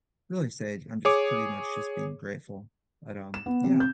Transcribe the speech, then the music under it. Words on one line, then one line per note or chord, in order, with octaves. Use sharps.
really say, I'm just pretty much just being grateful, but, um, yeah,
G#4 C#5 D6
E7
B3
C3
G6